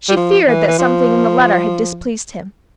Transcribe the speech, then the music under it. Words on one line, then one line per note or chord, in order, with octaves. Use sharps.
She feared that something in the letter had displeased him.
G3
F3
E3
E3
F3